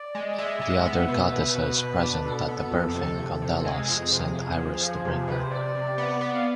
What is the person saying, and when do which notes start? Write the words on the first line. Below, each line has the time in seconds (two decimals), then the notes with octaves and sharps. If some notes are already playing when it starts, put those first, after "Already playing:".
The other goddesses present at the birthing on Delos sent Iris to bring her.
Already playing: D5
0.15 G#3
0.38 G#3 E5
0.61 G#3
0.85 B3
1.08 B2
1.32 B2 B4
1.55 B2
1.78 B2
2.02 D4
2.25 B2 A4
2.48 B3
2.71 F2
2.95 C3
3.17 F2
3.42 C3
3.64 G#3 G#4
3.88 F2
4.11 C3
4.35 F2
4.58 F3
4.81 F3
5.04 C3 G#4
5.16 G#4
5.28 C3 B4
5.39 C5
5.51 C3 D5
5.75 C3
5.98 B3
6.21 B3
6.35 F5